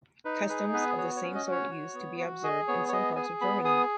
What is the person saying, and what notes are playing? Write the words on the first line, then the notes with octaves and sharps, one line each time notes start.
Customs of the same sort used to be observed in some parts of Germany.
D#4 B4
G#4 B4
B3 B4
F#4 C#5
C#5
C#4
D#5
F#4
C#5
F#4
B3
F#4
G#4 D#5
B3 C#5
C#5
G#4 D#5
G#4 G#5
B3 B5
G#4 D#6